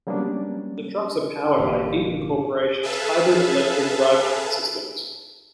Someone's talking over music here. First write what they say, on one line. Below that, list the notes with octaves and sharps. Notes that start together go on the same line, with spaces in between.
The trucks are powered by Eaton Corporation's hybrid electric drivetrain systems.
F#3 G3 A#3 B3 C#4 D4
G1 A#2 E3 A#3 G4 F5
G#4 A4 B4 E5 F5 A5